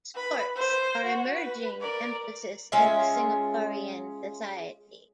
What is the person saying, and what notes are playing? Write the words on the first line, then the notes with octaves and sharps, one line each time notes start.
Sports are an emerging emphasis in the Singaporean society.
B4 B5
C5
F#4
B4
A#4 D5
G#3 C#4 F4 E5